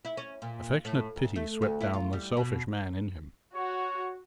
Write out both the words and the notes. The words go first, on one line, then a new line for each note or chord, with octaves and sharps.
Affectionate pity swept down the selfish man in him.
E4
C#4
A#2
A2
D2
A3
D2
E4
F4
G3
B2
F#4 C#5